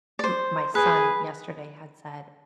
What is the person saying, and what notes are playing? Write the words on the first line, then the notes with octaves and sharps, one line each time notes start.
m my son yesterday had said
D5
C5
G#4 B4